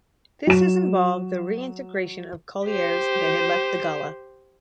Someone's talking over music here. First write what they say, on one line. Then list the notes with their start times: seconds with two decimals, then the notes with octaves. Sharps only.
This has involved the reintegration of collieries that had left the Gala.
0.47 F#3 E7
2.67 G4 C5